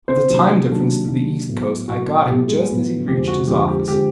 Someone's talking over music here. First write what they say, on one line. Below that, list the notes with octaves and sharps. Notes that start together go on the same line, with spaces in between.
With the time-difference to the East Coast, I got him just as he reached his office.
C4 C5
C3 D#3 F#3 A#3 D4
C3 D#3 F#3 A#3 D4
C3 D#3 F#3 A#3 D4
A2 F#3 B3
A2 F#3 B3 F#4
A2 F#3 B3 G4
G#3 G#4
A2 F#3 B3
F2 D3 F3 G#3 C4 G4
F#4
F2 D3 F3 G#3 C4 G4
G4
D3 F3 G#3 C4 G4